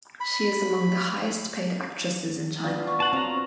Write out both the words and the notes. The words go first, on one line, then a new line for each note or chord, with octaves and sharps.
She is among the highest paid actresses in China.
B5
B3 D4 F4
B3 C#6
F5 F#5 A5
F#3 C4 F4 A#5